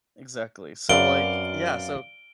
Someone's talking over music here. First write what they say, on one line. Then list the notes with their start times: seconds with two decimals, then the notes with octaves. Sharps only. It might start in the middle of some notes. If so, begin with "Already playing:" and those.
Exactly so like yeah, so
0.89 F#2 C4 B4 D5 F5 D7 G7